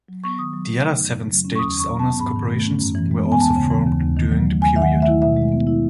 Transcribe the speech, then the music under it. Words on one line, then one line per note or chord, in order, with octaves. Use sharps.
The other seven stages' owners' corporations were also formed during the period.
F#3
B3 C#6
D#3 D#6
F#3
A3
D#4
F#2
C#3
F#3
C#4
C#6
E2 D#6
D#3 C#6
F#3
A5
B3
G#2 B5
D#3
A3
C#4
F#2
E3
G#3
B3
G#5
D#2 A5
C#3
E3
D#2
D#2
D#3
F#3
A3
D#2 G#5
D#3 E5
F#5
A3
E5
E4
B2 E5
G#3
B3
E4